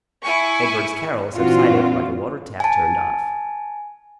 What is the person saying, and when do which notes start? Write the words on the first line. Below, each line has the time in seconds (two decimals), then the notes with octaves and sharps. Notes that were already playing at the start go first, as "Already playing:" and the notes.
Edward's carol subsided like a water-tap turned off.
0.23 E4 G#5 C#6
1.36 A#2 E3 C4 D4 F4 F#4
2.60 G#5 A5